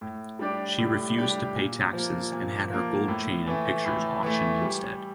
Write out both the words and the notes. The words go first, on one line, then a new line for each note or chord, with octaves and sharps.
She refused to pay taxes and had her gold chain and pictures auctioned instead.
A2
G3 D4 G4 D5
A2
G3 D4 G4 D5
A#2
F3 A#3
A#2
F3 A#3
A2
E3 A3
A2
E3 A3
G3